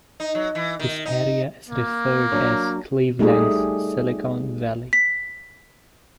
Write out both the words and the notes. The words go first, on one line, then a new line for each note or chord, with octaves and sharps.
This area is referred as Cleveland's Silicon Valley.
D#4
F#3
E3
D#3
D#4
A#3
F#3 D4 C#5
G3 A3 D#4 G4 G#4
B6